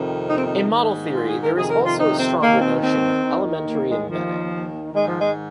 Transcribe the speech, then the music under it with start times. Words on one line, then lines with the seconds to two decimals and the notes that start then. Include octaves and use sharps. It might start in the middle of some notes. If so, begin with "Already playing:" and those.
In model theory there is also a stronger notion of elementary embedding.
Already playing: F2 C3 D#3
0.29 D#4
0.37 C4
0.45 D#4
0.72 G#2 D#3
1.14 F4
1.28 G#4
1.41 A#4
1.55 F2 C3 D#3 G#4
1.69 A#4
1.84 F4
1.98 D#4
2.19 C4
2.40 D#2 D#3 A#3
2.61 C4
2.83 C4
3.25 D#2 D#3
3.67 A#3
3.88 G#3
4.09 D#2 D#3 F3
4.94 G#2 D#3 G#3
5.07 F3
5.20 G#3